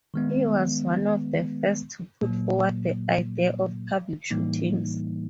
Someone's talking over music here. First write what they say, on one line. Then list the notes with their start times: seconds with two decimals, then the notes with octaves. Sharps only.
He was one of the first to put forward the idea of public shootings.
0.14 D#3 G#3 B3
2.22 A#2 F#3 A#3
4.30 A2 E3 G3 A#3 D#4